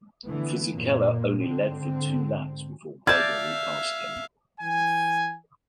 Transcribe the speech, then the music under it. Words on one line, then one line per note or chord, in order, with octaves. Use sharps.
Fisichella only led for two laps before Berger repassed him.
D3 E3 A3 B3
F#2 A#2 A#3
G#2 D3 C4
D5 E5 F5 A5 G6 G#6
E3 G5 G#5